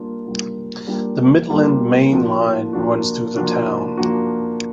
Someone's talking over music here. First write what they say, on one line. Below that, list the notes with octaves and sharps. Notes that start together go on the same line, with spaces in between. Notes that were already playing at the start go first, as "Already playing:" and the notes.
The Midland Main Line runs through the town.
Already playing: G3 A#3 D4 F4
G3 A#3 D4 F4
G3 A#3 D4 F4
G3 A#3 D4 F4
F3 A#3 D4 F#4
F3 A#3 D4 F#4
F3 A#3 D4 F#4
F3 A#3 D4 F#4